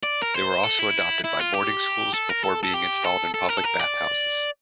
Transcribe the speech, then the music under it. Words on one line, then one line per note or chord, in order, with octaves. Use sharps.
They were also adopted by boarding schools, before being installed in public bathhouses.
D5
A#4
C5
A4
E4
E4
F4
G4
A4
A#4
A4
A4
G4
A4
A4
A#4
A4
A#4
D5